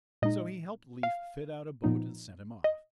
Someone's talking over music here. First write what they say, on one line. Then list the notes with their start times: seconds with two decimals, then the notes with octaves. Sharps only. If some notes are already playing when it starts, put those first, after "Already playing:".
So he helped Leif fit out a boat and sent him off.
0.22 A#2 G#3 D#4 D#5
1.03 F5
1.84 A#2 F3 B3 D#4
2.64 D#5